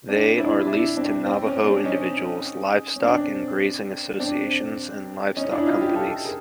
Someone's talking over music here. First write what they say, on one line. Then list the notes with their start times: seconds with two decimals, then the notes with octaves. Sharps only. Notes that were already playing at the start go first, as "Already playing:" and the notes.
They are leased to Navajo individuals, livestock and grazing associations, and livestock companies.
0.08 C4 D4
0.38 D4 E4
0.67 D4 E4
0.97 C4 D4
1.26 C4
1.46 C#4
1.65 C4 D4
1.85 C#4 D#4
2.96 C#4
3.02 C4 D4
4.20 C4 D4
5.37 C#4 D#4
5.52 D4 E4
5.66 D#4 F4
5.81 F4 G4
5.96 G4 A4
6.25 G#4 A#4